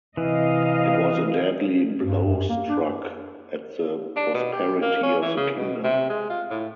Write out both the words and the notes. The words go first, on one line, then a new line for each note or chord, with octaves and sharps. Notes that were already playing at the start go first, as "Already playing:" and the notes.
It was a deadly blow struck at the prosperity of the kingdom.
C3 E3 D#5 F5
G2
F#2
A#3
D4
D4
B2
G4
A#3
C#4
E3
C#3
B2
C3
G#3
F4
A2